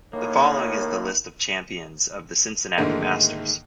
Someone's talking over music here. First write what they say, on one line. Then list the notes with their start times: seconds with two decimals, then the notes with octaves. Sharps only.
The following is the list of champions of the Cincinnati Masters.
0.13 D#2 A2 D#3 A#3 C#5
2.78 G#2 D3 D#3 A3 A#3